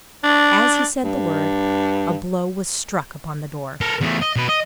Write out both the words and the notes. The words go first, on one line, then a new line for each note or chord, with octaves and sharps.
As he said the word, a blow was struck upon the door.
D4
G2
A4 A#4
E2 A3
D#5
B2 B4
D#5